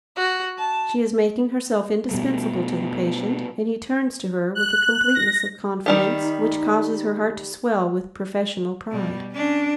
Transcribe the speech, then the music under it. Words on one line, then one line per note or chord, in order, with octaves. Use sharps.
She is making herself indispensable to the patient, and he turns to her with a completeness of confidence which causes her heart to swell with professional pride.
F#4
A5
B2 G3 A3
F#6
A#6
D#3 G3 D#4 G4
B2 G3
C#4 D4